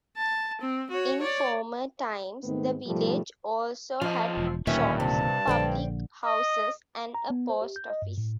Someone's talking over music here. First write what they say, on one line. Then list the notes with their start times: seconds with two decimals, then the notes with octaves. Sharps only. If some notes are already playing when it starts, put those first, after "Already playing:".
In former times the village also had shops, public houses and a post office.
0.17 A5
0.61 C4
0.90 F#4 C#5
1.20 C#5 D5
2.43 G#2 D#3 A3 B3 C4
2.87 G#2 B2 F3 G3 A3
4.01 F3 F4 D#5
4.37 E1
4.67 D1 G2 A#2 D#3 C#4 E5
5.00 C3 A5
5.47 A#1 D3 C5 D5 G5
6.26 D#5
7.14 A#5
7.30 B3
7.49 C5
7.62 G4
7.76 G6
7.90 D#5
8.02 G2
8.18 A2